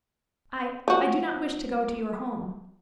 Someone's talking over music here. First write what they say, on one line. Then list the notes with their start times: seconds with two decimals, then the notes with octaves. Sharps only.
"I--I do not wish to go to your home."
0.88 F3 F#4